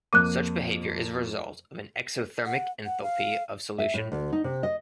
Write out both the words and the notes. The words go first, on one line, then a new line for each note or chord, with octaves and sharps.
Such behavior is a result of an exothermic enthalpy of solution.
F2 A#3 D6 F#6 D#7
F#5
F#5
F5
E5
A2
D2
D#4
C3
D#5